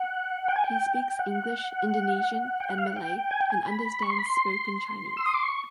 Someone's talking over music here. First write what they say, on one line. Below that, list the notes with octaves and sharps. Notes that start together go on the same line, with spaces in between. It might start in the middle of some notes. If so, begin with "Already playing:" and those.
He speaks English, Indonesian and Malay and understands spoken Chinese.
Already playing: F#5
G5
G#5
G5
F#5
G5
F#5
F5
F#5
G5
G#5
G5
G#5
B5
C#6
C6
B5
C6
E6
D#6
D6
C#6